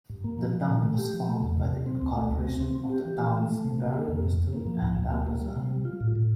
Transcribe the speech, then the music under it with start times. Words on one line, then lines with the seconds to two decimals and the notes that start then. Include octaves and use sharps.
The town was formed by the incorporation of the towns Barriobusto and Labraza.
0.10 G2
0.24 A#3
0.39 F3
0.53 F3
0.68 A#2
0.83 A3
0.98 G4
1.13 F3
1.27 A3
1.43 E2
1.57 C3
1.71 C3
1.86 C4
2.02 D2
2.15 A3
2.31 D2
2.46 C4
2.60 C4
2.75 C4
2.90 G4
3.05 E3
3.19 E3
3.35 A3
3.49 A3
3.64 C3
3.78 A#3
3.94 A#3
4.08 F2
4.23 G2
4.37 G2
4.53 A#3
4.67 F3
4.82 D2
4.97 D2
5.11 A#3
5.27 A#3
5.42 G3
5.56 C3
5.71 G3
5.85 F4
6.01 A2
6.15 A2